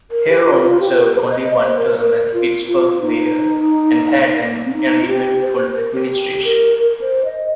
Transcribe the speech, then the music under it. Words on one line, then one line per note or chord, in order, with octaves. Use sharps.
Herron served only one term as Pittsburgh Mayor and had an uneventful administration.
A#4
G4
F4
F4
G4
A#4
C5
D#5
C5
A#4
A#4
F4
F4
D#4
C4
D#4
F4
G4
C5
C5
A#4
G4
G4
A#4
A#4
C5
D#5